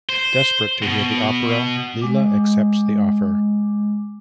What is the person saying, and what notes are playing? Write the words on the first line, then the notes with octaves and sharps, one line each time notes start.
Desperate to hear the opera, Leela accepts the offer.
C5
B2
G#3 D6